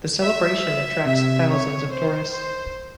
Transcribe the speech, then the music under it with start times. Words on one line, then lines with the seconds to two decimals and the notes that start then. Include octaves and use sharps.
The celebration attracts thousands of tourists.
0.21 E5
1.06 C3 E5
1.48 C#5
1.90 C5
2.32 C5